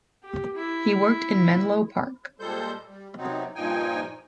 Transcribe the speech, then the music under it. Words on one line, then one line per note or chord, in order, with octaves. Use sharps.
He worked in Menlo Park.
G4
E4
A#2 G3 G#3 A4 C5 G6
G3
C3 F#3 B3 C4 D#4
G2 A#2 F3 D#4 G5 G#5